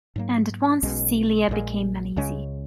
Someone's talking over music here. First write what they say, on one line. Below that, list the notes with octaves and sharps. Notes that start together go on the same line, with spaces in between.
And at once Celia became uneasy.
G#2 F#3 A#3
B1 B2 G#3 C#4
A#1 A#2 G#3
C#2 C#3 G#3 C#4